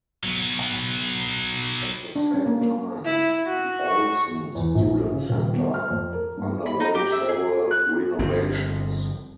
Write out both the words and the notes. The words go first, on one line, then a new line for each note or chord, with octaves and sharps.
At the same time, the Olsen Student Center underwent several renovations.
F#3 B3
D4
C#4
A#3
A#3
E4
F#4
C#6
E2
A#1
C#3
D#1
B3
F6
F2
A#4
G2
B5
D#4
G4
E5
G#4
F#6
G1 F3 C4